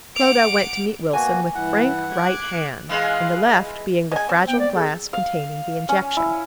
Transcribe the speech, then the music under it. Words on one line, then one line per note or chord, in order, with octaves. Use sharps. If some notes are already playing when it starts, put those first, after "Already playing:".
Clodagh went to meet Wilson with frank right hand, in the left being the fragile glass containing the injection.
F#5 D6 D7 F7
B2 A#3 F#4 G#5
G2 E3 E4 F#5
D6 F#6 G#6
E3 G#3 F5
G#3 G#5
C4
B3 G5
D5
G#4 A4
F5
C#4
E4